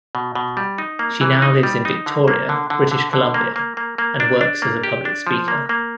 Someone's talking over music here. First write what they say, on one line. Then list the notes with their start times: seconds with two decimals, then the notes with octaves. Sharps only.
She now lives in Victoria, British Columbia and works as a public speaker.
0.15 B2
0.35 B2
0.57 G3
0.78 D#4
0.99 A#3
1.21 E3
1.42 D#4
1.63 G3
1.85 D#4
2.06 D3
2.28 A#3
2.49 D3
2.70 D3
2.92 D3
3.13 D3
3.34 A#3
3.56 A#3
3.77 A#3
3.98 A#3
4.20 D4
4.41 D4
4.62 A#3
4.84 G4
5.05 D4
5.27 F3
5.48 A#3
5.69 A#3